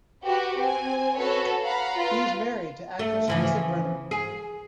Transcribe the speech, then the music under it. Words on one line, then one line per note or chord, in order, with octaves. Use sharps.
He is married to actress Lisa Brenner.
F#4 G4 B4
C4 G#5
F#4 A4 B4 C#5
F5 F#5 A#5 B5
F4 B4
A3
C#3 E3 F3
G#4